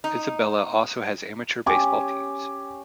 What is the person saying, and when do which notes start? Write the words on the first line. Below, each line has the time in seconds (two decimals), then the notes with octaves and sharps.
Isabela also has amateur baseball teams.
0.04 D#4
1.66 C#4 G4 G#5 D6